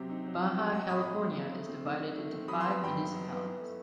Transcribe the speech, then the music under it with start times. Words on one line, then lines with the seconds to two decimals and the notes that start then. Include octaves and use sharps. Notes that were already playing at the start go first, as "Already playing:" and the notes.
Baja California is divided into five municipalities.
Already playing: C3 F#3 C4 G4
0.10 D#4
0.26 F#3
0.42 C4
0.57 F#3 G4
0.73 C4 D#5 F#5
0.89 A2 B5 D#6
1.05 A2
1.21 F#3
1.37 C4
1.53 A3
1.69 C4
1.85 D#3
2.00 D#4
2.17 A3
2.32 C4
2.48 F#3 B5 D#6
2.60 B3 C6 E6
2.80 G2 G5 B5
2.96 D#4
3.12 F#3
3.28 B3
3.44 E3
3.60 A3